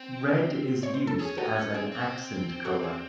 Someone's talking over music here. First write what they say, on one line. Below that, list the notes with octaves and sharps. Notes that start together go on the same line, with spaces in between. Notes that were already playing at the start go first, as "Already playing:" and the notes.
Red is used as an "accent color".
Already playing: C4
C#5
C5
A4
C#4 G#4
D#4 F#4 A4
C#4
C4 G#4
C4
F#4 A4
G#4 C5